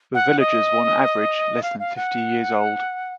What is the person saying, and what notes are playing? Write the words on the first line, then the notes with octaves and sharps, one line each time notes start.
The villagers were on average less than fifty years old.
F#5
D#5
F5
F5
F#5